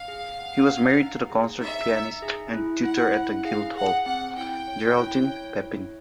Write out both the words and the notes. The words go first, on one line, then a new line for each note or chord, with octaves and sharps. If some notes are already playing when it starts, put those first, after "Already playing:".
He was married to the concert pianist and tutor at the Guildhall, Geraldine Peppin.
Already playing: F5
G#4
F#5
F#5
D#4
G#4
D#4 E5
D#4
G#4
E4
E4 F#5
E4
G#4 F5
G#4 F#5
C4 F#5
E4 G5
C#5
E4
C#5
E4